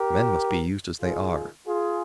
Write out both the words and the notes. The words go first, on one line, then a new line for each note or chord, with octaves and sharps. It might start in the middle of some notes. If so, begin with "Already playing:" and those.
Men must be used as they are.
Already playing: G4 A#4
C3 D#3 F4 G#4
F4 G#4